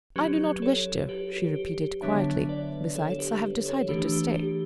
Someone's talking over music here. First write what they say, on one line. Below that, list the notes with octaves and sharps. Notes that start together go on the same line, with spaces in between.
"But I do not wish to," she repeated quietly; "besides, I have decided to stay."
F#3 C#4 G4 B4
A4 C#5
G4 B4
G4
G4
D3 F#3 B3 D4 C#5 E5
B4 D5
A4 C#5
A4
G4 B4
A4 C#5
E3 A3 D4 G4 B4
G4
G4